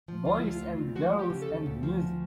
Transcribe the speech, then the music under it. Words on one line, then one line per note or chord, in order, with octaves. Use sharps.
Boys and girls and music.
F3
D2 F4
E4
D2
F4
D2
D2
F3 F#4
F3
G4
C#3
A4
D2
D2
F3
D2